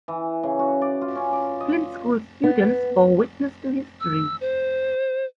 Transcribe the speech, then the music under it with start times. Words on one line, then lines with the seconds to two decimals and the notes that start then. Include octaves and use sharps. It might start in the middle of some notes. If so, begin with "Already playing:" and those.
Flint School students bore witness to history.
0.08 E3
0.43 C#3
0.59 F#4
0.82 D5
1.01 F4
1.16 C#4
1.32 D5
1.60 D#5
2.43 B3
4.00 E6
4.41 C5